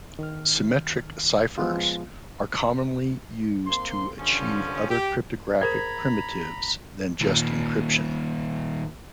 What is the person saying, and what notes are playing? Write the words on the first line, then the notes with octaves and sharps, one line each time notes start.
Symmetric ciphers are commonly used to achieve other cryptographic primitives than just encryption.
D#3 F6
F3 G#3 B3 F4
A#3 C4 C6
G2 D3 F3 C#4
G4
G#4 A#4 C5 A#5 B5 G#6
D#2 A#2